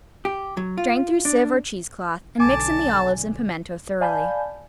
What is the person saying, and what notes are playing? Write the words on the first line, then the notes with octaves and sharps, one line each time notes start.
Strain through sieve or cheesecloth, and mix in the olives and pimiento thoroughly.
G4
F#3
F4
D4
B1 D3 G#5 A5 D6
D5 F5 G#5 A5 B5 G6